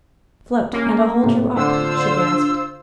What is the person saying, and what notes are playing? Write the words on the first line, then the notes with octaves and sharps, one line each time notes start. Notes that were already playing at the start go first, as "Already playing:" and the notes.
"Float, and I'll hold you up," she gasped.
A#3 C#4 F6
A2 C3
D3 F4 C5 E6